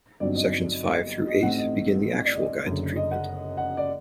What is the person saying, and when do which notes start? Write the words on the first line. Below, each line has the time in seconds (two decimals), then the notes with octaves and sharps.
Sections Five through Eight begin the actual guide to treatment.
0.20 G1 G2 F#3 C4 D#4 D5
0.35 D#5
1.28 D#5
1.43 A1 A2 A3 C4 D#4 F#5
1.58 D#5
2.25 D5
2.35 D#5
2.65 F#1 F#2 D3
2.96 D#5
3.11 F#5
3.57 F#5
3.77 D5